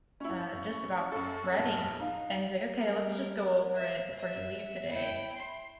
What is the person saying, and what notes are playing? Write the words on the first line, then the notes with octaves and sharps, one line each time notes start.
uh, just about ready." And he's, like, "Okay. Let's just go over it before he leaves today,"
C#4 E4 C#6
F#2 A4
A#1 E2 G2 A5
D#4 F5
G3 A#4
E5
E5
E4 G5
C6